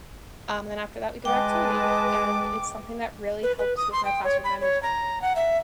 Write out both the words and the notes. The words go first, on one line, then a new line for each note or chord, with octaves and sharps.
um, then after that we do our activity. And, it's something that really helps with my classroom management.
G#3 B4 D#5 G5 A5 D6
B4
B4
D#6
C6
G5
C#5
B5
C#5
A#5
F#5
E5